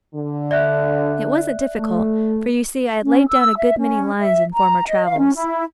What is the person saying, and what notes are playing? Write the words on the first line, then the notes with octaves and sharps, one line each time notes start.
'It wasn't difficult, for you see I had laid down a good many lines in former travels.
D3
D5 E5 F#6
A3
C#4
E6
E5
C#4
E5
A#5
D#5
F5
C#4
E4